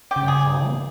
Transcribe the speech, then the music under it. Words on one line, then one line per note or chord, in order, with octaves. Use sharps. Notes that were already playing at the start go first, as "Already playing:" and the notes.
"That's all?"
G4
C#3
G#4